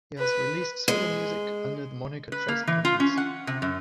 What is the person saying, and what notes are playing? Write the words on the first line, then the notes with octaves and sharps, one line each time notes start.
He has released solo music under the moniker Trace Mountains.
B4
G#3
B4
A#3
E3
F4
C#4
F#5
C3
F#2